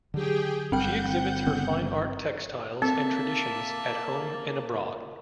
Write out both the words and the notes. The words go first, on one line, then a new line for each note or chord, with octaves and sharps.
She exhibits her fine art textiles and traditions at home and abroad.
D3 F#3 G4 G#4 G5
G1 G2 C4 F#5 G5 G6
C#3 B3 C#4
A#3 C4 A4 E5 A5